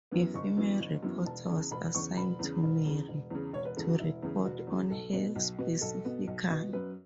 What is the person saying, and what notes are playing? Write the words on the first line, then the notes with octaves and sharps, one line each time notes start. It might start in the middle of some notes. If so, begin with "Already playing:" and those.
A female reporter was assigned to Mary to report on her specifically.
F#2 E3 B3
F#1 C#6
F#2 E3 B3
F#1
F#2 E3 B3
E1 A5
E2 C#3
E1 B5
E2 C#3 C#6
E1 B5
E2 C#3
E1
E2 C#3
E1
E2 C#3
E1 C#5
B4
E2 C#3 A4
F#4
E1 E4
E2 C#3
E1 F#4
E2 C#3
B1 A4
B2 B3
B1
B2 B3
B1 A4
B2 B3
B1
B2 B3
F#2 B4